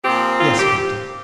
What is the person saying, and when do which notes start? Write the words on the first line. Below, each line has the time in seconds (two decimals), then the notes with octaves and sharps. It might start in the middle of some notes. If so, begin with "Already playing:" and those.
"Yes, captain."
0.04 A#2 F3 C4 G4
0.40 F4
0.59 G4